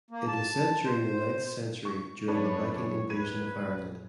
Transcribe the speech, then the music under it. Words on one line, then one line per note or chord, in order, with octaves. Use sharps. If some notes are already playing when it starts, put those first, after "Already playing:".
It is set during the ninth century during the Viking Invasion of Ireland.
A#3
A5
C5
C#6
G1 F#2 A#3 D4 B4 C#5
C#5
G#1 D#2 B4 G#6 D#7
A#1 F#2